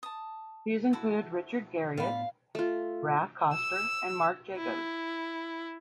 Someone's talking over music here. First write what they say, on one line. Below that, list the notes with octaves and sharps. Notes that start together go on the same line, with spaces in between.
These included Richard Garriott, Raph Koster, and Mark Jacobs.
A5 D#6
E4 F#4 A4
A2 B3 F4 F5 B5
A3 F4
E6
E4